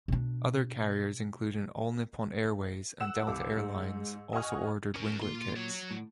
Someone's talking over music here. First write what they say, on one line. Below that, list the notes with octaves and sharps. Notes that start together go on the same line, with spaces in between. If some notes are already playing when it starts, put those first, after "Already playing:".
Other carriers including All Nippon Airways and Delta Air Lines also ordered winglet kits.
B2 D4
F#5 E6 E7
C2 D6
G#2
D#5 F#5 G#5 C#6 F6
C#4 A#4
A#2 F4 C6
F#3 C#5
A2